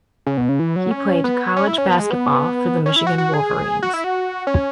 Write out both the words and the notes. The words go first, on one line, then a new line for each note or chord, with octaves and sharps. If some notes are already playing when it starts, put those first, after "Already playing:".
He played college basketball for the Michigan Wolverines.
C#3
B2
C#3
E3
F#3
C#4
B3
C#4
E4
C#4
B3
G#3
B3
C#4
E4
F#4
F#4
G#4
F#4
E4
F#4
C#4